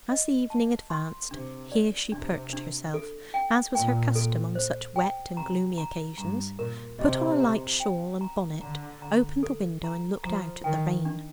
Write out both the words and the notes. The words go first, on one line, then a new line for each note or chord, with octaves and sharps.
As the evening advanced here she perched herself, as was her custom on such wet and gloomy occasions, put on a light shawl and bonnet, opened the window, and looked out at the rain.
D#5
A5
C6
C3 D4
D5
C3 D4
D4
A4
G5
A#2 G5
A4
C5
G5
C3 A#5
A#5
G2 A#5
A#2 A#4
C3 D#5
A#5
G5
A#5
D3 A#5
A#5
A4
A#5
F3 A#5
D#3 G5
D4